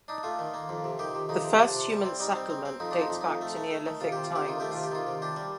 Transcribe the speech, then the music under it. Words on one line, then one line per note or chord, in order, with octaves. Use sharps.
The first human settlement dates back to Neolithic times.
D4 D#4
A3 F4
D#3
A#3
F2
C3
D#3 G4
C3
F2 D#4
C3
C3 D4
C3
G3
C4
G3 D#4
C4
C4
C4
F2 D#4
F2 D4
D#4
F2
F2 D#4
A3
A3
A3
D#3
C3 F4
C3 G4
F4
C3 G4
D#3 F4
A3 G4
F4
C3
G4
D#3 F4
C3
D4 G4
G3